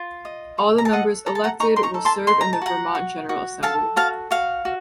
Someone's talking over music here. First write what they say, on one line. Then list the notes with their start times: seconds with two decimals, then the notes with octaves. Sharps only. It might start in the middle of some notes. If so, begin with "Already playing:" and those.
All the members elected will serve in the Vermont General Assembly.
Already playing: F4
0.25 D#5
0.58 A4
0.78 A#5
0.85 A5
0.93 A4 D#5 F#5
1.26 A4 A#5
1.35 A5
1.44 F#5 A#5
1.60 D#4 A#5 C#6
1.76 C6
1.83 A#5 C#6
1.94 A4
2.05 A5 C6
2.27 D#4 C6
2.41 A#5
2.53 A5
2.62 F#4 F#5 A#5
2.95 F#4
3.29 F#4
3.63 A4 F5 A5
3.96 F#4 F5 A5
4.31 F#4 F5
4.65 F#4